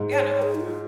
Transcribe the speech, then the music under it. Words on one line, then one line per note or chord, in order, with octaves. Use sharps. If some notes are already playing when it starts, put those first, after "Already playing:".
Yeah. No, that's true.
Already playing: G#2
C#5
C5
C#5
G#4
D#4
F4